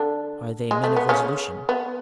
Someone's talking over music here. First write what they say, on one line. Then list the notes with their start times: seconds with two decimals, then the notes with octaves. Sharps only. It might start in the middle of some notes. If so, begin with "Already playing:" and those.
"Are they men of resolution?"
Already playing: D3 D4
0.71 G#3
0.84 A3
0.96 B3
1.09 C#3 C#4
1.69 B3